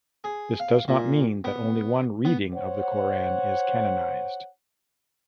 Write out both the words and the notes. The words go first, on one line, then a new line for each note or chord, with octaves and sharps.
This does not mean that only one "reading" of the Quran is canonized.
G#4
F5
A#2
B3
B3
C5 C#5 F#5